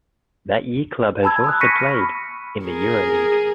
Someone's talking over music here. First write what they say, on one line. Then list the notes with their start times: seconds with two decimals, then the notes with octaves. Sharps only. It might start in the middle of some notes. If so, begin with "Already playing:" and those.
That year club has also played in the Euroleague.
1.23 G#5 A5 B5 E6 G#6
1.44 B5 D#6 F#6
1.61 C#6 F6 A#6 B6 C#7 D#7
1.75 F6 D#7
1.89 B5 C#6
2.66 G#4 A#4